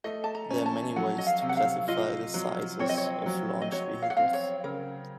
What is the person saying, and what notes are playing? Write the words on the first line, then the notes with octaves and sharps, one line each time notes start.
There are many ways to classify the sizes of launch vehicles.
A3 D#5
A5
A#5
C#4
A5
F#3 F#5
D#5
F5
C3
F#5
F5
F4 D#5
F#3
C4 C#5
D#5
C#5
F#3
D#5
F#3 C#5
F5
F#5
C4 F5
C#5
C#3 A#4